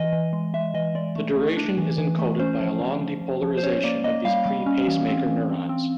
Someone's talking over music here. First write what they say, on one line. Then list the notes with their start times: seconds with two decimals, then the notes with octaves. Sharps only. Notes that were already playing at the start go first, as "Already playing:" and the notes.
The duration is encoded by a long depolarization of these pre-pacemaker neurons.
Already playing: E3 D#5
0.13 E3
0.33 G#3
0.54 G#3 E5
0.74 E3 D#5
0.95 G#3 D5
1.16 A3
1.36 A3
1.57 D4
1.78 E3
1.98 E3
2.19 A3
2.39 C#4 C5
2.60 F3
2.81 F3
3.02 F3
3.22 F3
3.43 F3
3.58 C5
3.63 C#4 C#5
3.84 A#3 D5
4.04 A#3 D#5
4.25 G3 F5
4.46 G3
4.66 C#4
4.87 E3
5.08 C4
5.28 E3
5.49 C4
5.69 C4